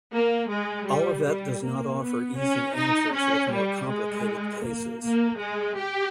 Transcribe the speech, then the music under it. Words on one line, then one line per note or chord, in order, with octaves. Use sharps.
Olivet does not offer easy answers with more complicated cases.
A#3
G#3
G3
G3
A#3
B3
C#4
D#4
C#4
G3
G#3
A#3
A#3
G#3
G4